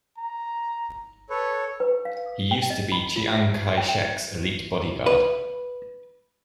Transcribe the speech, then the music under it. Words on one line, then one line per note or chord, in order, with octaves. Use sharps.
He used to be Chiang Kai-shek's elite bodyguard.
A#5
A4 B4 C#5
B4
F5
G5
D#5
B5
F4
E5
G5
B4